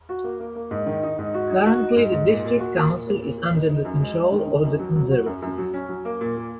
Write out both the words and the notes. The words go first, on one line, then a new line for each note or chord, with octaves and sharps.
Currently the District Council is under the control of the Conservatives.
F#4
A#3
A#3
A#3
G#2
D#3
D#4
G#2
F#4
D#4
F#4
D#4
G#2
G#2
A#2
A#2
F#4
A#2
A#2
A#2
A#2
A#2
D#4
D#4
F#2
G#3
G#3
D#3
D#3
F#2
F#3
F#3
F#4
F#2
F#2
F#3
C#4
F#3
A#3
A#2
A#2